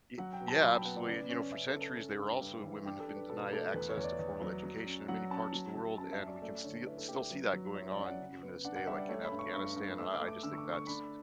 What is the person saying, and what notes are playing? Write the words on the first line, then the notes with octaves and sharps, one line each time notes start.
Y Yeah, absolutely, and you know, for centuries, they were also women have been denied access to formal education in many parts of the world, and we can stee still see that going on, even to this day, like, in Afghanistan, and I I just think that's
F#3 F#5
G5
B2
A5
F#3 B5
G5
B3 F#5
D5
C#3 D5
C#4 D5
C#4 E5
A4
C#3
A4
C#4 A4
G2
G2 G4
E3
D4 G4
A4
D4
B4
B2 A4
A3 A4
E2 B4
C#5
E2
D5
E2
F#3
F#3
C#4
F#3 F#5
C#4 A5
F#3
F#3
F#2 A5
E5
C#4
D5
A3 D5
D3 C#5
E4 B4
A4
A3 G4
F#3 B4
F#3
E4 C#5
D5
C#4
F#5
C#3
B3
D4 F#5
F#5
G3 E5
D5
A3 C#5
B5
G2
C#6
G2 C#6
G2
A3 E6
D6
A3
D6
D3 E6
C#6
D6
A3
C#6
D4 B5